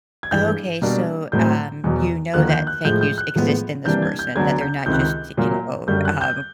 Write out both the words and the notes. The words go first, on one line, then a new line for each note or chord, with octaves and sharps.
Okay, so, um, you know that "thank yous" exist in this person, that they're not just, you know, um,
G#6
G2 E3 G#3 G6
B2 G3 A#3 D4
A2 F#3 A3 C4 G6
E2 B2 F#3
D#2 D3 F3 A#3 F#6
G6
F#6
A2 F3 G#3 G6
G6
F#6
A2 F3 G#3 B3
C3 E3 G3 A#3 D4 G6
G#6
G6
D2 D3 F#3 B3 D4 G#6
G6
C#2 C3 D#3 G6
F#6
G6
A#2 F#3 A#3
F#2 D3 G3 G6
F#6
G6